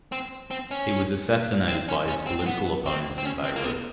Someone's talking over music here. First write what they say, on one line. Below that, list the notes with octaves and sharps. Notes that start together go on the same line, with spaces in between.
He was assassinated by his political opponents in Beirut.
C4
C4
C#4
C4
C#4
C#4
C4
C4
B3
C4
C4
C#4
C4
A#3
B3